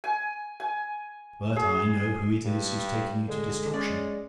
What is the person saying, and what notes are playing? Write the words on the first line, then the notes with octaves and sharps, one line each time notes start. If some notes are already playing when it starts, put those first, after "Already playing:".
But I know who it is who's taking you to destruction.
G#5
G#5
G#4
G2
D3 G#3
G#3 C#4 D5